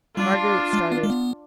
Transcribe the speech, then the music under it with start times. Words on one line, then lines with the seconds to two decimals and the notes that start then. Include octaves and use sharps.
Marguerite started.
0.17 G3 D4 F4
0.73 G#3
0.92 B3
1.03 G#3
1.10 B3